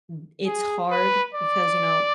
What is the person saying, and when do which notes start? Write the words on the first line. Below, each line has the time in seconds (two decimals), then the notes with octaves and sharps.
mm, it's hard because, you know,
0.46 G#4
0.91 B4
1.34 D5